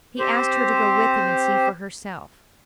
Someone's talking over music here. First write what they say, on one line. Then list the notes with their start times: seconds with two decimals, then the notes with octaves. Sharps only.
He asked her to go with him and see for herself.
0.19 C4 G4 C5